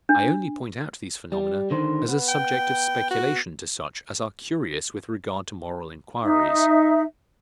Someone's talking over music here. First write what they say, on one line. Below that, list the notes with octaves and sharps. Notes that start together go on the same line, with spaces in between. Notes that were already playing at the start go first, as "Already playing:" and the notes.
I only point out these phenomena, as a subject of speculation to such as are curious with regard to moral enquiries.
D4
G3
D3 D#3 C5
B3
G5
F#4
D#4 E5